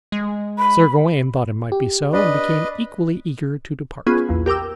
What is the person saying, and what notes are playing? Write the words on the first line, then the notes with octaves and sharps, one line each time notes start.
Sir Gawain thought it might be so, and became equally eager to depart.
G#3
B5
G4
D4 B4 D#5
B3 C#4 F4 G#4 B4
A#1 E2
G4 A#4 G5 D6 E6